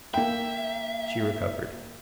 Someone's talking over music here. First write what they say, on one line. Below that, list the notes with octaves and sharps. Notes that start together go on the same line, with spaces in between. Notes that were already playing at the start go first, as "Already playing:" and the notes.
She recovered.
A#3 E5 G5